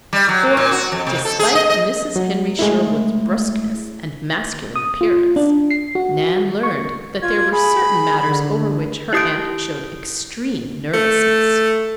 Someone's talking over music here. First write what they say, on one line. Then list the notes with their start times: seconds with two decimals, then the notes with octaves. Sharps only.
For, despite Mrs. Henry Sherwood's bruskness and masculine appearance, Nan learned that there were certain matters over which her aunt showed extreme nervousness.
0.13 G3
0.29 F#3
0.43 A#3
0.57 A#2
0.71 F#4
0.92 F2
1.07 C3
1.25 A4
1.39 G#4
1.55 D#5
1.70 D#5
2.16 F#3
2.59 G#3 A3 E4
4.76 D#6
5.01 F4
5.36 D4
5.71 C7
5.95 F#4
6.63 C#6
7.22 F4 G#6
7.52 G#4 B5
8.27 D3
9.13 E4 G4 D#6 G6 D7
10.94 A3